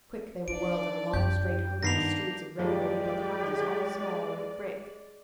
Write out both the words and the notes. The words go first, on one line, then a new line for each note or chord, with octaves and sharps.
Quick they were whirled over long, straight, hopeless streets of regularly-built houses, all small and of brick.
F3 D4 D5 D7
F#2 G4 G6
G2 D#3 A#3 B3 D4 A#6 C7 F7
F#1 D#2 F3 G#3 G4 D5